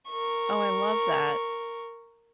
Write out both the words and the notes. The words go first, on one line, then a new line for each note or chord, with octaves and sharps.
Oh, I love that.
A#4 C#6